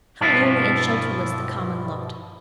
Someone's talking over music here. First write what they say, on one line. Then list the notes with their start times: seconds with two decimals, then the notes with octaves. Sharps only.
How lonely and shelterless the common looked!
0.21 G2 B2 F3 D4 E4 F4